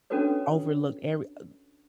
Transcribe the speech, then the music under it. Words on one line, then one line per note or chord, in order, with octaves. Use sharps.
overlooked every, uh
C#4 D4 F#4 A4 B4 C#5